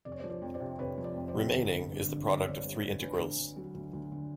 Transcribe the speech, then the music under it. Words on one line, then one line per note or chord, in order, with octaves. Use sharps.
Remaining is the product of three integrals.
F1 D5
C#5
C5 D5
F3
C5 D5
F2
C5 D5
C3
F1 B4 C#5
F3
C5 D5
F2
C5 D5
C3
G1
G1
G2
D3
G1 D5
C#5
G1 C5 D5
G2
D3
D2 B4 C#5
D2
D3
F#3
D2
D2
D3